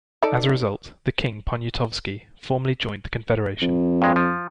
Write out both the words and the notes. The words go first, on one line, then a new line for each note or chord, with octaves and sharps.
As a result, the King, Poniatowski, formally joined the Confederation.
D#4 A4 D5
F2
G2 G#3
F3